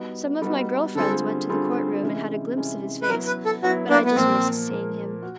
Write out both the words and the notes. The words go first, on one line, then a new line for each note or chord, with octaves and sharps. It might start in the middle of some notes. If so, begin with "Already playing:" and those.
Some of my girl friends went to the court-room and had a glimpse of his face, but I just missed seeing him.
Already playing: G3 B3 D#4 F#4
G3 B3 D#4 F#4
D3 G3 C4 F4 G#4 A4
D3 G3 C4 F4 G#4
C3 E3 G#3 C#4
C3 E3 G#3 C#4
B4
F#3 B3 E4 A#4
B4
A4
F#3 B3 E4 F#4
D4
B3
A#2 F3 A#3 C4
A#2 F3 A#3
F#4